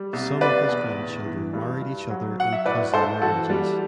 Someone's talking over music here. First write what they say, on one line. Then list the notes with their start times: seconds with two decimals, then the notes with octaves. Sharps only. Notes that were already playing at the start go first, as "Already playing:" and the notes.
Some of his grandchildren married each other in cousin marriages.
Already playing: G3
0.13 C2
0.41 D3 B4 D5
0.69 E2
0.97 A2
1.26 E3
1.53 G2
1.82 G2
2.10 F#3
2.38 F#3 F#5
2.53 E5
2.66 A2 B4 D5
2.94 A2 A4 C5
3.22 E3 F#4 A4
3.50 G3